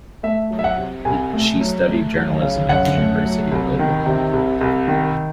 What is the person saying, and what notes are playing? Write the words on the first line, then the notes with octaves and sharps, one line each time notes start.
She studied journalism at the University of Oklahoma.
A3 E5
F#3
E5
F#5
C3
C2 G#5
A3
F#3
A3
F#3
C#3
F#2 F#5
A3
F#3
C2
D#3
C3
C2
C2
D#3